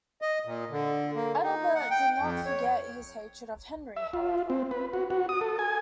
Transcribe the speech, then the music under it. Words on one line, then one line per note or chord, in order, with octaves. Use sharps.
Adalbert did not forget his hatred of Henry, however.
D#5
A#2
D3
A#3
D#4
F#5
G5
F2
C#5
E5
F4
C4
B4
F#4
F#4
D#6
A4
G#5